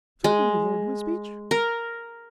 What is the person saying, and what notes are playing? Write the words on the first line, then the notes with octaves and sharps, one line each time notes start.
"Certainly, Lord Wisbeach."
G#3
A#4